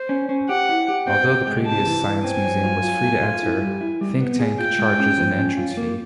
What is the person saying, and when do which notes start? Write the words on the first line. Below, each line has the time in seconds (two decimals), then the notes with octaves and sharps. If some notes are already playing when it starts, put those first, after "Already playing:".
Although the previous science museum was free to enter, Thinktank charges an entrance fee.
Already playing: C5
0.09 C#4
0.29 C#4
0.49 G4 F#5
0.69 E4
0.88 G4
1.07 C4 G5
1.27 C3
1.47 G#3
1.66 C3 A5
1.86 E3
2.06 E3
2.24 C4 G#5
2.45 F#3
2.64 F4
2.83 F4
3.03 A3
3.22 F4
3.43 E4
3.61 G3
3.81 E4
4.01 G3
4.21 B3
4.40 G#4
4.59 F4 G5
4.79 G#3
4.98 C#4
5.18 F3
5.38 C#4
5.57 F4
5.77 A#3